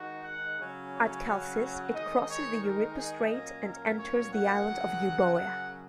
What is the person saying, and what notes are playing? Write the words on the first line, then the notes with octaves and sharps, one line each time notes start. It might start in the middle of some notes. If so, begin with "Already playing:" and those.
At Chalcis it crosses the Euripus Strait, and enters the island of Euboea.
Already playing: D#3 G#3 D#4 F#4
F#5
C#3 F#3 C#4
C#5
F#5
F#5
D#3 G#3 D#4 D#5
C#5
A#4
G#4
A#2 F#3 A#3 C#4 D#5
A#4
C#5
F#5
F#2 C#3 F#3
F#5